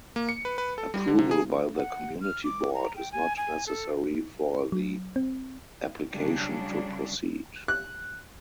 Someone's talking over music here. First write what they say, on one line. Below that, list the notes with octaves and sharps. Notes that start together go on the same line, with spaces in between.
Approval by the community board is not necessary for the application to proceed.
A#3
C#7
B4
B4
A4
G3
D3
C3
G#4
F#5
F6
D6
A#5
G5
G#5
G#5
A4
F#3
C4
C#3 F#3 G3 D4
F#6